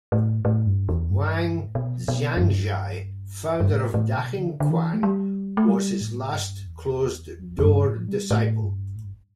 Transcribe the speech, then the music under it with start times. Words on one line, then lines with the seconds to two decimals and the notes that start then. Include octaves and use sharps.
Wang Xiangzhai, founder of dachengquan was his last closed door disciple.
0.12 A2
0.45 A2
0.66 G2
0.89 E2
1.10 G2
1.67 A2
1.75 B2
2.08 B2
2.37 E2
2.41 G2
3.60 G2
3.72 A2
3.94 A2
4.16 B2
4.38 D3
4.60 D3
4.70 E3
4.94 A3
5.03 G3
5.57 A3
5.68 G3
6.01 A2
6.34 G2
6.67 E2
7.59 E2
7.65 G2
7.86 A2
8.08 G3
8.31 A2
8.63 G2
8.95 A2
9.04 G2